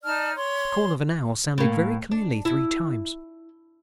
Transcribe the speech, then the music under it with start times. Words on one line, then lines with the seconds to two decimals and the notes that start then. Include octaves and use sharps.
The call of an owl sounded very clearly three times.
0.04 D#4 D5 A5 F6
0.35 C#5 C6
1.58 A2 A#3
2.11 D4
2.45 E4